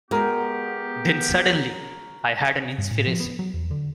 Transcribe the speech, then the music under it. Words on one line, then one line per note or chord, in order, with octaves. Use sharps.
Then suddenly I had an inspiration.
G#3 B3 F#4 G4 A#4
G2
A2
F3
B3
F#3
E2
D3